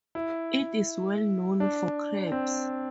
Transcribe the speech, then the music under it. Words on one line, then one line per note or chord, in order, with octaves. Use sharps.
It is well known for crabs.
E4
D4
C4